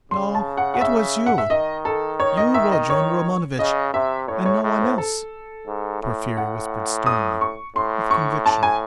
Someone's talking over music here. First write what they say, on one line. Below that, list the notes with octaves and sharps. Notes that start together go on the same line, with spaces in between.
"No, it was you, you Rodion Romanovitch, and no one else," Porfiry whispered sternly, with conviction.
C#3 C6
A5
F#5
F#5
E5
F#5
E5
D#3 D#5
A4
C#5
D#5
E5
D#5
C#5
C#3 D#5
C3 E5
A2 C#5
C#5
A2
C5
A4
G#2
A2
F#5
D#6
C#6
A2 C6
C#6
A5
G#5